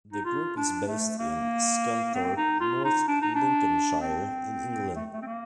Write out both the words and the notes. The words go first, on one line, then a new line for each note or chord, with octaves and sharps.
The group is based in Scunthorpe, North Lincolnshire in England.
D#4
F4
D4
A3
A#3
C4
D#4
F4
D#4
D4
D#4
D4
C4
A3
A3
C4
A#3